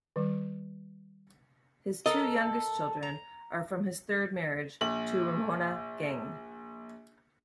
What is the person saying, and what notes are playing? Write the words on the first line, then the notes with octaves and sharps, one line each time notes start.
His two youngest children are from his third marriage, to Ramona Ging.
D#3 G3
A4 A#4 D#5
A#5
A#1 F#7